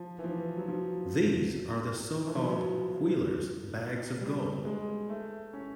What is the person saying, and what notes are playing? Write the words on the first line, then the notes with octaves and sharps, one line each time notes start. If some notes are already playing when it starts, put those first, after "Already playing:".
These are the so-called "Wheeler's bags of gold".
Already playing: F3
E3
F3
F#3
F3
E3
F3
F#3
G3
G#3
A3
C#4